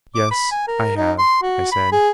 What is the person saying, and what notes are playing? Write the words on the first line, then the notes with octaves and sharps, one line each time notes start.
"Yes, I have," I said.
D6
B5
G#5
A#4
D#4
C6
F#4
B5
G#4